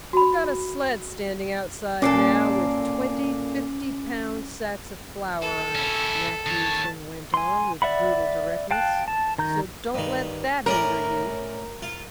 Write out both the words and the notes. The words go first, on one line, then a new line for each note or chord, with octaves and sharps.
"I've got a sled standing outside now, with twenty fiftypound sacks of flour on it," Matthewson went on with brutal directness; "so don't let that hinder you."
F#4 B5
A#2 A#3 C#4 A4 D6 C7
A4
C#4 E4
D#3 C#5 A5
G#5 C6
D5 E5 F#5 B5
F5 G5 A5 F#6
A5
D#3 A#5 G6
G2 D#3
A2 C#4 A#4 D5
F4